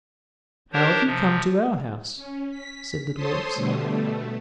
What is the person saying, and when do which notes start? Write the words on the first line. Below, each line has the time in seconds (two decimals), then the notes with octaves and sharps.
"How have you come to our house?" said the dwarfs.
0.73 D4 G4 A#4 C5 C#5
1.05 C3 F3
2.16 C#4
2.50 B6
3.14 A4 C5 C#5 A5 C6 D#6
3.54 B2 D3 G3 A3
3.89 B2 A3